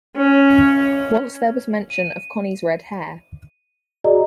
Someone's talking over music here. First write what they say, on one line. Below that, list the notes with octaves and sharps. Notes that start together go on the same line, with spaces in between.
Once there was mention of Connie’s red hair.
C#4
D#7
F#4 G#4 D5 D#5 A#5